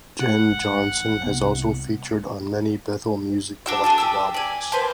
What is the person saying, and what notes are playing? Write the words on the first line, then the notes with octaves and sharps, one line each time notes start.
Jenn Johnson has also featured on many Bethel Music collective albums.
F#5
G#1 G#2
C2 B3
D4 F#4 E6
G#4 A4 A5
G4 E6
D5 G#5
A#3 B4 C5 A5